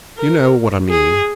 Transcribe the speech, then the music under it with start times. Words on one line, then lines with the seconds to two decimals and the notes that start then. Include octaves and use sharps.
You know what I mean.
0.17 A#4
0.90 G#4